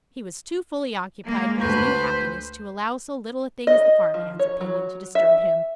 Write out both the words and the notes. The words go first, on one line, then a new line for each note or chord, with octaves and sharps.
He was too fully occupied with his new happiness to allow so little a thing as the farm-hand's opinion to disturb him.
G#3 A#3
D2 A4 B4 C5 C#6
D#5
F3
C#5
F#3
E5